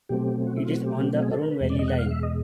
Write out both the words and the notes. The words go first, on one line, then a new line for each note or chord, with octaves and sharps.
It is on the Arun Valley Line.
B2 F#3 A3 C4 G4
F#4
E4
F4
F#4
G4
G#4
A4
A#4
B4
E2 B2 G#3
D5
D#5
F#5
F5
E5
D#5